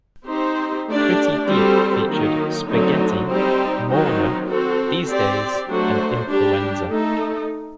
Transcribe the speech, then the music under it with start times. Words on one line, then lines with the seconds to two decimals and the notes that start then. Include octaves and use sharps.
"Pretty Deep" featured "Spaghetti", "Morna", "These Days" and "Influenza".
0.26 C4 D#4 G4 C5
0.87 A3 D4 G4 D5
1.48 G3 C4 F#4 A4 C5
2.08 D#3 F#3 A#3 D#4
2.68 D3 F#3 A3 C4 D#4
3.28 G3 C4 D#4 G4 C5
3.89 D#3 F#3 C4 D#4
4.48 C4 F#4 A4
5.09 C4 G4 D5
5.69 F#3 A3 D4 F#4 C5
6.30 G3 D4 G4
6.90 A3 D#4 A4